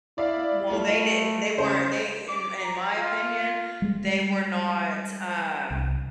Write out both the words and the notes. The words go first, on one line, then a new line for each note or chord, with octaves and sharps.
Well, they didn't they weren't they, in in my opinion, they were not, um,
E4 D5 E5 F5
G3 A3 F4 A4
C#3 C5
D6
A#5
F4
G3 G#3
C2